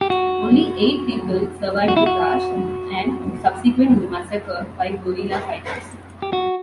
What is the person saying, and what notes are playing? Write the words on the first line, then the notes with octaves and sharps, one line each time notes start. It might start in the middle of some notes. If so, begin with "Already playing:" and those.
Only eight people survived the crash and the subsequent massacre by guerrilla fighters.
G4
F#4
F#4
E4
F#4
G4
F#4